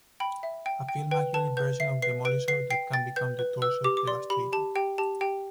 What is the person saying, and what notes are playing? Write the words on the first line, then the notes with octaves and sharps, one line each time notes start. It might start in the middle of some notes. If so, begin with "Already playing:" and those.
A film-accurate version of Demolishor that can become the torso of Devastator.
G5 B5
E5
G5
G5
B4 G5
B4 A5
B4 G6
E5 C7
B4 C7
B4 D7
B4 C7
G5 C7
G5 A6
B4 G6
B4
B4 E6
G4 D6
D6
D5 C6
G4 B5
G4 A5
G4 G5
G4 A5
G4 G5